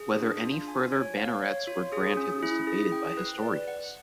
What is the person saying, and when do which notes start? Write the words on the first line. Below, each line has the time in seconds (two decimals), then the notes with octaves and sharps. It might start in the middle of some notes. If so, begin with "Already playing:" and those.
Whether any further bannerets were granted is debated by historians.
Already playing: G#4
0.17 D4
0.42 F4
0.68 G#5
0.92 C#5
1.17 F5
1.42 C#5
1.67 F4
1.92 G#4
2.17 C#4
2.43 E4
2.67 G#4
2.92 G5
3.17 B4
3.42 D5
3.68 F#5